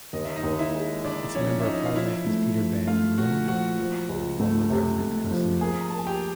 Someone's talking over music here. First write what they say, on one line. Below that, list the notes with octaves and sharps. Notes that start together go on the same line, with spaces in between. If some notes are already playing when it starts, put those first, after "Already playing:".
Its Member of Parliament is Peter Van Loan, the former Government House Leader.
D#2 D#5
E5
D#4 D#5
D#2
E4 E5
G#3
D3 D4 D5
F3 C#4 C#5
E5
F3 D#4 D#5
F5
F3 E4 E5
A3
F3
A3 F4 F5
A#2 F#4 F#5
F3 F#4 F#5
F3
C#2
A3
C3
A3
F3
A#3 G#4 G#5
A#5
A#3 A5
G#5
G4 G5